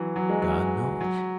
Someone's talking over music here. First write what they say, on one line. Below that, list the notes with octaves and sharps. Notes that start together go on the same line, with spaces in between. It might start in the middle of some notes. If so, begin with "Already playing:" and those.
God knows!
Already playing: E3 F#3
F#3
G#3
F#3
F#3